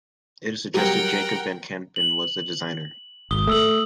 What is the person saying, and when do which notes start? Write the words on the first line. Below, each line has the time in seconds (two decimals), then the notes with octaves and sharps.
It is suggested Jacob van Campen was the designer.
0.74 F#3 G3 A#4 F#5 G5
1.96 F#7
3.31 G#1 D#6 G7
3.47 A3 D#6 E6 F#7